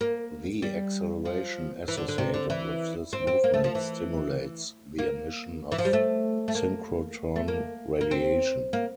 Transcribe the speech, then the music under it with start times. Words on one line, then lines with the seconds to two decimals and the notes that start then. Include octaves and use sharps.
The acceleration associated with this movement stimulates the emission of synchrotron radiation.
0.01 A#3
0.62 G3
1.25 F3
1.88 E3
1.97 D3
2.08 D3
2.18 C3
2.34 D3
2.50 E3
3.13 C4
3.27 C4
3.44 A#3
3.54 A3
3.64 F3
3.75 E3
4.98 A#3
5.72 E3
5.78 F3
5.85 G3
5.93 A3
6.48 A3
6.55 A#3
7.36 A3
7.48 A#3
8.01 A#3
8.11 C4
8.73 A#3